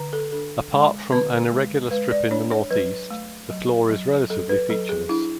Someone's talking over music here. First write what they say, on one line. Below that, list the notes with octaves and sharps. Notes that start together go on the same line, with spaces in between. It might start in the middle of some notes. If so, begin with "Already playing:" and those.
Apart from an irregular strip in the northeast, the floor is relatively featureless.
Already playing: D3
A4
D4 A4
G#3
D3 B4
G#3
G#3 B4
D5
D4 C#5
C#5
F#3 B4
A3
F#3
F#3
F#3 A4
B4
F#3 A4
G#4
D4 E4